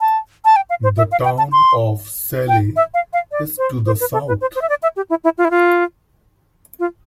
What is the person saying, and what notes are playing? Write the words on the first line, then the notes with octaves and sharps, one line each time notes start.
The town of Salley is to the south.
A5
A5
G5
F5
C5
E5
F5
G5
A5
C6
G5
E5
F5
F5
D5
C5
C5
B4
A4
B4
C5
C5
E5
D5
E5
G4
E4
E4
F4
E4
F4
F4